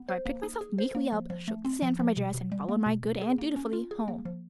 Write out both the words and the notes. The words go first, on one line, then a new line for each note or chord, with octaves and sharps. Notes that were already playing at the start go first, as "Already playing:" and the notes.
So I picked myself meekly up, shook the sand from my dress, and followed my good aunt dutifully home.
Already playing: B3
C5
A#3
D#4
G#4
C5
A#3
F3
F3
A3
C4
F3
F3
B2
B2
G3
A#3
B2
B2
G#4
A#3
C#4
F4
G#4
A#3
F3